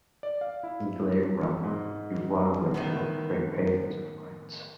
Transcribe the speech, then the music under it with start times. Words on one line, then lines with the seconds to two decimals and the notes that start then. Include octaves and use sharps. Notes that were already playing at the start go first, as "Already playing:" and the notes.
He glared round, bewildered, but prepared to fight.
0.23 D5
0.41 F5
0.63 E4
1.63 G#2
2.74 A2 D#3 B3